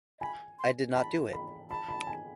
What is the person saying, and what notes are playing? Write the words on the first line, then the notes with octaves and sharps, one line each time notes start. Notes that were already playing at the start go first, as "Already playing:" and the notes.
I did not do it.
G#5 B5
C6
A5 B5
B5
A5 B5
B5
G#5